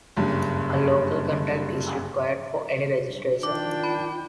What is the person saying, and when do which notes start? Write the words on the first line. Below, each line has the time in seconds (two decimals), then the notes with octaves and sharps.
A local contact is required for any registration.
0.17 F#1 G2
3.04 G2
3.43 D#3 D4 F4 G5 D6
3.83 B5